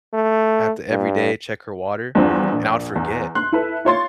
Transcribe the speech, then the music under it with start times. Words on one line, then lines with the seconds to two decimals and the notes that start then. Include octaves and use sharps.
have to every day check her water and I'll forget,
0.14 A3
0.90 G2
2.15 E2 G2 F3 C4 D4
2.52 A#1
2.95 E2
3.35 C6 F#6
3.52 E4 A4 B4 E5
3.85 F4 C#5 C6 A6